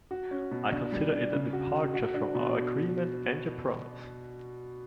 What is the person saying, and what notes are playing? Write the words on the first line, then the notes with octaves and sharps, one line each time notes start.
I consider it a departure from our agreement and your promise.
F#4
C#4
B2
D4
G3
D4
C#3
F#4
F#4
F#4
D4
B2